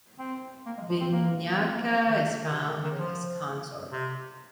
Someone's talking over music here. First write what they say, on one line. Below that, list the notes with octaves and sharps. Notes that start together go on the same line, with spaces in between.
Vinayaka is found with his consort.
C4
A#3
G#3
F3
C4
A#3
C4
A#3
F3
D#3
D#3
C3
D#3
D#3
F3
C3